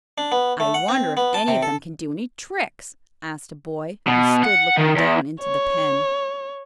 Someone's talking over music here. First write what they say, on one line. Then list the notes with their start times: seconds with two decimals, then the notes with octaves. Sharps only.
"I wonder if any of them can do any tricks?" asked a boy who stood looking down into the pen.
0.18 D4
0.32 B3
0.60 A3
0.74 F#5
0.88 C4
1.17 B3
1.34 A5
1.48 C3
1.63 A4
4.07 B2
4.43 F#5
4.77 D#3
4.96 E2
5.41 C#5